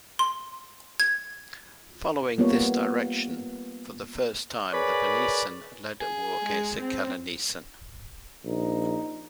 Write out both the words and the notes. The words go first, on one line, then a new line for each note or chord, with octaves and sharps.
Following this direction, for the first time the Venneesan led a war against Kalineesan.
C6
G#6
G3 A#3 B3 F4 B4 C#5
G#4 A#4 B4 C#5 D5
G#4
G#3
C4
A#1 D#4